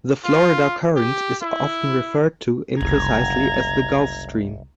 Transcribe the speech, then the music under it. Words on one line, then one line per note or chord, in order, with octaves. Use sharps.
The Florida Current is often referred to imprecisely as the Gulf Stream.
F4
G4
E4
F#1 C2 A#5 G#6